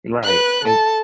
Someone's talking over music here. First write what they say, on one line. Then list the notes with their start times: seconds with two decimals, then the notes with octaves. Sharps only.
Right, and
0.23 B4 F#6
0.65 A4 A5